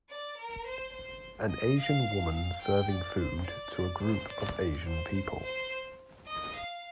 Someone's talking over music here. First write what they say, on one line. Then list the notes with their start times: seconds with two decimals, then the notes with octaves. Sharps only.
An Asian woman serving food to a group of Asian people.
0.10 D5
0.37 A#4
0.66 C5
0.93 C5
1.49 D#5
1.78 F5
2.34 F5
2.62 G5
2.90 D5
3.19 C5
3.47 D5
3.75 D5
4.02 C5
4.31 D5
4.87 C5
5.14 C5
5.42 C5
6.27 D#5
6.55 F5